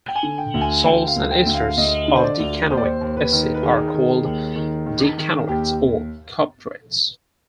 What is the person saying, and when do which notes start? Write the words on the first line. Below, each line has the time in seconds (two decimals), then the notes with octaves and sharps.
Salts and esters of decanoic acid are called decanoates or "caprates".
0.08 G5
0.15 G#5
0.23 D3
0.38 G5
0.54 D2
0.61 G#5
0.84 D2 G5
1.07 F5
1.16 D2
1.31 G5
1.46 D2
1.54 F5
1.77 D2 D#5
2.08 D3
2.16 C5
2.24 D5
2.39 D2
2.70 D#2 C5
2.77 D5
2.84 C5
3.01 D#2
3.17 B4
3.32 D#3
3.54 B4
3.63 D#3 G#4
3.94 D#3
4.25 D#2
4.56 D#3
4.86 D#3
5.18 D#3
5.48 D#2 G4